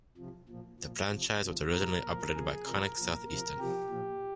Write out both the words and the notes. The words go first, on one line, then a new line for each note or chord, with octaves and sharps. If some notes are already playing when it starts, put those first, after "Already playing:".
The franchise was originally operated by Connex South Eastern.
C3 F3
A#2 F3
A#2 F3
C3 F3
C3 F3
C3 F3 A#4
A#2 F3
C3 F3 G#4
C3 F3 A#4
A#2 F3
C3 F3 A#4
C3 F3 G4
A#2 F3